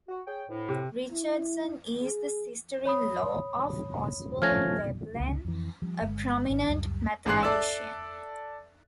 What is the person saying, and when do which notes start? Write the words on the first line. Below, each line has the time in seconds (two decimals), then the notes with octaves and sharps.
Richardson is the sister-in-law of Oswald Veblen, a prominent mathematician.
0.09 F#4
0.27 G#4 C#5 G5
0.49 D2 A2
0.69 C3
1.11 E4
2.03 G#4
2.85 C#5 B5 D#6
4.42 F3 A3 C#4 F6 G#6 A#6
5.20 C#2 D3
5.45 F2 E3
5.82 F3 G3
6.01 G1 G#3
6.50 G#1 D#3 C#4
6.68 C#2 F#2 G3
7.26 A1 G#2 G#4 C6 F#6 C7
7.43 A4 D5 E5 E6